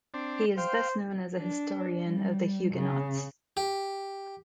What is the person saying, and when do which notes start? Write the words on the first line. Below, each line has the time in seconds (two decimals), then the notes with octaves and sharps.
He is best known as a historian of the Huguenots.
0.14 C4 D4
0.58 C5 F5 G5
1.37 D4
2.07 G3
2.74 C#3
3.57 G4